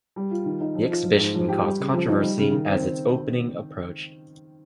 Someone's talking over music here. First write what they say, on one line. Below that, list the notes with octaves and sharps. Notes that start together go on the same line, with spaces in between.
The Exhibition caused controversy as its opening approached.
G3
F4
D#3
D#4
F3
F4
F3
G#2
F3
G4
G3
C#3
F3
D#4
G3
C#3
D#3
C4